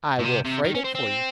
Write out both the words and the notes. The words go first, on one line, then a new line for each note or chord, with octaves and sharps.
"I will freight it for you."
A2
C3
C3
D#3
C#4
C4
C4